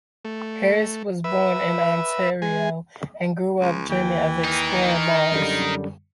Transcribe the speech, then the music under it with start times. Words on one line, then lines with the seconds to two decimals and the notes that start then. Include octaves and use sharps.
Harris was born in Ontario and grew up dreaming of exploring Mars.
0.25 A3
1.24 B4 E5
2.42 G#3 G#5
3.60 C#2
3.89 D#2 E3 G5
4.44 D#4 A#4
5.32 F#2 D3 G3